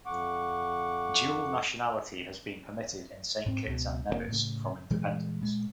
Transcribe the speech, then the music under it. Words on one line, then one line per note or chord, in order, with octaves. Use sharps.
Dual nationality has been permitted in Saint Kitts and Nevis from independence.
F2 F#5 C#6 D6
G#2 C4
C#2 B2
F1 B2 A#3
A2 C#3
A#2 E3 G3 G#3
A#2 G#3